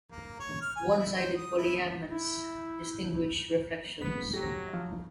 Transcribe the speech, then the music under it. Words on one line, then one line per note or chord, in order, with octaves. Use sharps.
One-sided polyiamonds distinguish reflections.
A#3
C#5
F6
G#5
E4
C5
D#6
E4
E4
B3 B6
F#3 G4 A#6
F3